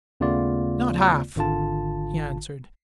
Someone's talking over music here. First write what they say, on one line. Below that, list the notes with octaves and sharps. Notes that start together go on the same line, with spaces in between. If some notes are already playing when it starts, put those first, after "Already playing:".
"Not half!" he answered.
D#2 C#3 A3 B3 F4 D5
G#1 D3 F4 A5